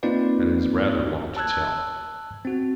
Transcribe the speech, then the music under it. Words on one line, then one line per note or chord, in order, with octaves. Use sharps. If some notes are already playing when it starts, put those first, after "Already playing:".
And it is rather long to tell.
A#3 C4 D#4 F4 B4 D5
A5 E6 F#6 G#6
C4 F#4